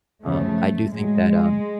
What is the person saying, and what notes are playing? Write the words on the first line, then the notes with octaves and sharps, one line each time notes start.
um, I do think that, um,
F#2 C#3 F3 A3
A2 F#3 G#3